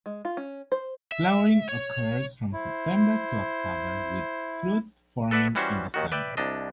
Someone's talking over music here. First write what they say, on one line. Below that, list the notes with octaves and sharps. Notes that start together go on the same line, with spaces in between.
Flowering occurs from September to October with fruit forming in December.
G#3
F4
C#4
C5
E5
C#5
E4 C5
A4 B4 D5 E5 F#5
E3 G3 C#4 F#4 C5
D#2 D#3 F#4
B4 D5 E5 G5
C2 D4 D#5